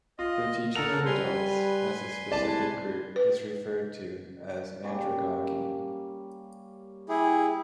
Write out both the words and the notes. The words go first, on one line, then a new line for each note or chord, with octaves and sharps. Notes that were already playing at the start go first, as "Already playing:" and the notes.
The teaching of adults, as a specific group, is referred to as andragogy.
F4 D#5
A4 A#4 F#5 F7
G3 B4 G#5 C6
C2 D5 A5
B4
G3 A#3 C#4
E4 G4 G#4